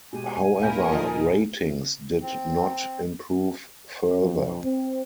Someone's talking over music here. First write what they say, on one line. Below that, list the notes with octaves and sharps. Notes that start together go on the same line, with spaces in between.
However, ratings did not improve further.
B2 G#3 G4 G#5
D#1 A#2 E4 A#4 F5 G6
F3 D#4
C4
F2
C4